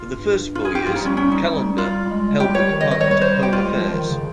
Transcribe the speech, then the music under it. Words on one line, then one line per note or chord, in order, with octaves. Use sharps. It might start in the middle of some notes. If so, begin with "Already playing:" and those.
For the first four years, Calonder held the Department of Home Affairs.
Already playing: F4
G2
F4
G#4
G4
F3 F4
D#4
G3 C#4
C#4
D#4
G3
F4
G3
G#3
G3 G4
G3 C#5
D#3
D#5
D#5
G3 C#5
C#5
C5
G4
F4
G#3
F3
D#3
C#3